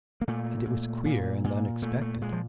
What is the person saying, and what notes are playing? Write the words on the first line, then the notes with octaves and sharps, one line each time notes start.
And it was queer and unexpected.
A#3
A#2 A3
A#2
A#2
A#2
A#2 A3
A3
A#2 G#3
F3